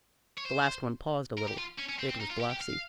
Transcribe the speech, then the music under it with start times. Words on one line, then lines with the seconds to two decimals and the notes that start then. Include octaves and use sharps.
The last one paused a little; it was Blasi.
0.38 C#5
0.45 C5
1.38 A#4
1.48 G4
1.59 F4
1.79 C#4
1.89 C#4
1.99 C4
2.09 C4
2.20 D#4
2.30 F4
2.40 G4
2.50 G4
2.61 F5